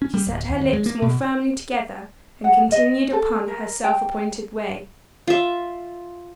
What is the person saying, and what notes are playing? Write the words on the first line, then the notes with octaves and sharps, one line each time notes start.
She set her lips more firmly together and continued upon her self-appointed way.
C#4
G3
D1
D#2
D#2
G#3
A#3
B2
F#5
D#5
A4
A#4
G5
F4 E5